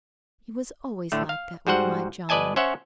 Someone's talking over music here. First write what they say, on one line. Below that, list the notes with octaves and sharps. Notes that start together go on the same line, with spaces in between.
It was always like that with my John.
A2 D3 A3
F5
G#2 G3 F#4 C5 F#5
G1 B4 D5 D#5 G#5 A5
C#4 C5 C#5 E5 F#5